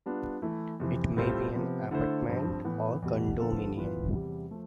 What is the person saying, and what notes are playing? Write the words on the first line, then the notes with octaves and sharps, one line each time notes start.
It may be an apartment or condominium.
G3 B3 D4 F4
E3 A3 E4
F2 C3 E3
A2 G3 C4 F4 A4
C3 F3 B3
D3 A3 E4 A4 C5
G2 F3 C4
A2 E3 B3
E2 B2 G3
D3 F3 B3 F4 A4
A2 E3 B3 F4 B4
E2 C3 G3
F3 A3